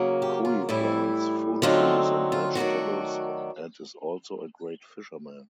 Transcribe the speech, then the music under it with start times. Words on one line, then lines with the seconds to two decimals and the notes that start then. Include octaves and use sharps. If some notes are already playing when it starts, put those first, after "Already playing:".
Kui plants food trees and vegetables and is also a great fisherman.
Already playing: C#3 F#3 A#3
0.22 G4
0.45 F4
0.69 A2 E3 G3 E4
1.62 D3 F#3 A3 C4 D#4 F4
2.32 F4
2.55 D#3 F#3 A3 D4 F#4